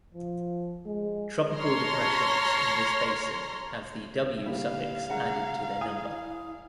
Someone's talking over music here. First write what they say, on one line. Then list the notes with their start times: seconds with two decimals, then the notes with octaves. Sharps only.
Tropical depressions in this basin have the "W" suffix added to their number.
0.14 F3
0.86 G#3
1.55 C#5 A5 A#5 C6 F6 A#6
4.46 A#2 D3 G3 E4 F5
5.10 C#3 G#3 F#5 A#5
5.81 E4 G#5 D#6